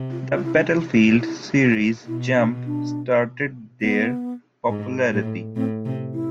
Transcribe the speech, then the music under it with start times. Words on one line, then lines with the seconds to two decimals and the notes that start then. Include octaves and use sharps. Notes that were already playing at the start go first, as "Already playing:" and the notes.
The "Battlefield" series jump-started their popularity.
Already playing: C3
0.11 F4
0.33 F4
0.44 E4
0.55 D4
0.67 E4
1.20 E4
2.07 B2 E4
2.37 D4
2.66 D4
3.81 B3
4.69 G#2
5.13 A2
5.56 A2 C4
5.85 C3 C4
6.14 E4